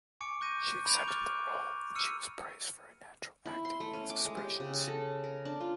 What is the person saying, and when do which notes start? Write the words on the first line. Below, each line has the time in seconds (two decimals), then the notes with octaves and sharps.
She accepted the role and she was praised for her natural acting and expressions.
0.21 G#5 C#6 D6 C#7 D7
0.41 C#6 F#6 G6 A#6 D#7
0.85 A#5 B5 G6 D7 F7
1.08 C#6 D6 F6 F#6 A6
1.95 E6 F6 C#7 D#7
3.46 E4
3.65 C6
3.80 A3
3.93 C#4
4.10 D6
4.25 G#3
4.37 G4
4.60 C#3
4.88 A4
5.24 A#4
5.45 D4
5.60 F4